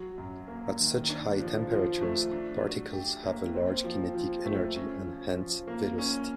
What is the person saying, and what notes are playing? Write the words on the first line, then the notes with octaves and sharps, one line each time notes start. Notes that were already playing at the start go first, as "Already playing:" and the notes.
At such high temperatures, particles have a large kinetic energy, and hence velocity.
Already playing: F#3
F#2
A#3
D#3
D4
F3
F3
A3
D4
F#3
G4
A#3
C4
F3
F3
A3
C#4
F3
F3
A#3
C#4